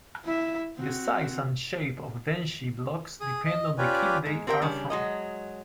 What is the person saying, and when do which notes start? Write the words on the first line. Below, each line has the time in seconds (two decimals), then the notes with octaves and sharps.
The size and shape of denshi blocks depend on the kit they are from.
0.25 E4 E5
0.77 C4 F#4
3.20 G#4 D#6
3.45 D#5
3.78 C#4 F4 G4 B4 D5 G#5
4.26 G#2 G#3
4.47 C4 G4 A#4 F5 G5
4.62 C#3 G3 C#4 D4
4.90 F#3 G#3 D#5